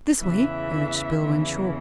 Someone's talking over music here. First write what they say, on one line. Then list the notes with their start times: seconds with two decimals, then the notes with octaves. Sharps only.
"This way," urged Bill Renshaw.
0.20 E2 C#3 E3 E5
1.21 E2 C#3 E3